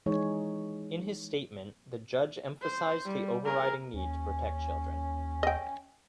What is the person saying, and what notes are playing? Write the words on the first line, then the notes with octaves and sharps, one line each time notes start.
In his statement, the judge emphasised the overriding need to protect children.
E3 G#3 D#4 G#4 C#5
C5
G3
G#4 A#4
D#2 C#4
D#5 G5